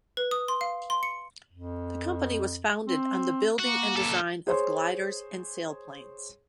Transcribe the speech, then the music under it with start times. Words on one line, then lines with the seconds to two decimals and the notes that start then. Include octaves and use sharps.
The company was founded on the building and design of gliders and sailplanes.
0.17 B4
0.31 D#6
0.48 C6
0.61 F5
0.90 C6
1.03 C#7
1.53 F2
2.87 C4
3.59 A#3 F#4
3.96 C#2 A4
4.47 G#4 C5 C#5 C6